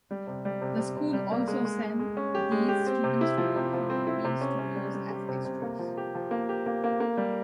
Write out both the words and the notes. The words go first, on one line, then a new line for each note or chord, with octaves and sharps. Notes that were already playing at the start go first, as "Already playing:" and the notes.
The school also sent these students to work for movie studios as extras.
G3
C3
G3
C3
C3
C3
G3
A#3
G#3
G#3
G#3
G#3
C#4
G4
G#3
G4
C4
C3
E4
F3
C3
F3
C4
E4
C3
C#4
C#4
G3
G3
G4
C3
C3
A#3
F3
G4
F3
A#3
G4
A#3
A#3
A#3
G3